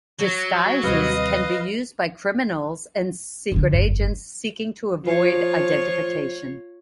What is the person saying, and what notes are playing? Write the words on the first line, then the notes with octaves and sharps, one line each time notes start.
Disguises can be used by criminals and secret agents seeking to avoid identification.
F#3
D#2 C3 G3 B4 D#5 F5
E2 D3
G1 F2
F3 F4 C#5